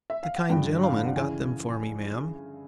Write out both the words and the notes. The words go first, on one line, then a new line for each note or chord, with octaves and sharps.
"The kind gentleman got them for me, ma'am."
E5
F5
F#5
G2 D3 F3 G5
F5
F5
F#5
C#3 E3 G#5